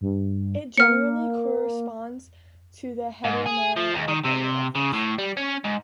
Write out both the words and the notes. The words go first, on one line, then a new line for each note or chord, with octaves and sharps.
It generally corresponds to the Heteromera of earlier authors.
G2
A#3 F6 C#7
G#2
G#4
F3
D#2
D#3
C3
C#3
A2
G3
C#4
G#2